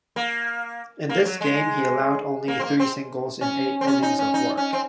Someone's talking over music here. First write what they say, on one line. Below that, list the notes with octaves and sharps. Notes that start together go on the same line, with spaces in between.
In this game, he allowed only three singles in eight innings of work.
A#3
A#3
F#3
G#3
A#3
C4
A#3
C4
C#4
C4
C#4
D#4
C#4
D#4
C#4
C4